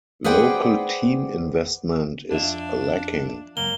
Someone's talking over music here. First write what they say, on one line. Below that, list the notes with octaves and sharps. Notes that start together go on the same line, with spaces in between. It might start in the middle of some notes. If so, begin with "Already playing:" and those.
Local team investment is lacking.
G#4 B4 C5 D5 F#5 G5
F2 D4 F4 E5
C#2 F#2 A#3 G7